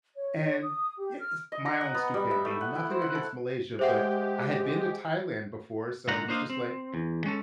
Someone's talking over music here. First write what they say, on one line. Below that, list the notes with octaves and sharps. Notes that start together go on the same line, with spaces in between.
And, yeah it's my own stupidity, nothing against Malaysia, but I had been to Thailand before, so I was just like,
C#5
C#5
D#6
G4
F6
D#5
A#5
F#5
B3
G3
E5
A3
F#5
E4
C5
F#5
A4
G#3 G4 C5 E5 F#5
G#2 D3 D#4 F4 F#5 A#5
A#3 D4 C5 D#5 F5
C4
E2
G#3 C#4 A4